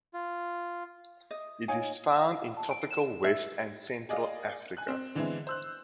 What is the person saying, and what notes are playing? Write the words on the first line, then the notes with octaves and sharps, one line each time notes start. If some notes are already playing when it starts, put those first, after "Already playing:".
It is found in tropical West and Central Africa.
F4
D#5
D#4 C#5 F5 G#5
F5
A5
D7
E7
E5
G#4 D5 D#5 F5
G#5 F#6
C4
D3 E3 G#3 B3 C4 E4
C5 E6 F#6